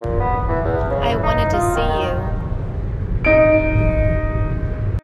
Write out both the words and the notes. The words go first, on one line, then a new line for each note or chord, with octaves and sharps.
I wanted to see you.
A#2
B3
E3
E2
C#3
E3
D#4
F4
D#3
D#3
D#4 D7